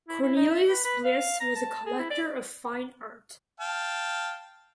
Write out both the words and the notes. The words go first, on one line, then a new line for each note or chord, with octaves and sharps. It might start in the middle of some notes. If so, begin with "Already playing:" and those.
Cornelius Bliss was a collector of fine art.
E4
E4
D#4
E5
B4
B4
F5
A#5
A5
G#4
E4
D5
F5 G5 A5